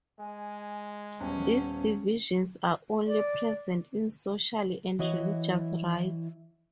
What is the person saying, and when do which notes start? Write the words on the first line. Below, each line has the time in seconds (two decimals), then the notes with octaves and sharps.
These divisions are only present in social and religious rites.
0.19 G#3 G#5
1.20 D#1 B3 C#4
3.06 D5
4.99 E3 E4 F#4 C#5 D#5